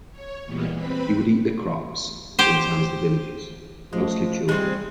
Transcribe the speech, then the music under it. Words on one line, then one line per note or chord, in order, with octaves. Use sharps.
He would eat the crops and sometimes the villagers, mostly children.
C#5
A#2 E3 G3 G#3 A#3 B3
C4 B4 B5
G4 C5
F3 G#3 A3
C3 G3 G#3 C4 F4